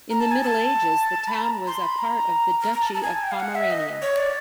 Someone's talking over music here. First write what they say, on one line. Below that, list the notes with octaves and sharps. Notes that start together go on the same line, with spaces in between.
In the Middle Ages the town was a part of the Duchy of Pomerania.
A#5
A5
G#5
A5
B5
A#5
C6
B5
A#5
A#5
A#5
A5
A5
G#5
G5
F5
F#5
E5
D#5
C#5
D5